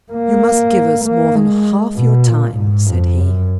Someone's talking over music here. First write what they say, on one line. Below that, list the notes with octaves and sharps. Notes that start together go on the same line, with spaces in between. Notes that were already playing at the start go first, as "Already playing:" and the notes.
"You must give us more than half your time," said he.
A#3
A#3
G#3
B2
A#2
G#2
F2
F#2